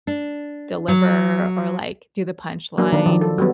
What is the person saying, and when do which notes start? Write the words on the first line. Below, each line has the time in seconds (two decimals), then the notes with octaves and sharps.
deliver or like, do the punchline.
0.07 D4
0.88 F#3
2.78 F#3 A#3 D4
2.92 D#3 D4
3.06 D#3 F3
3.21 A4
3.38 F#3 G3 B3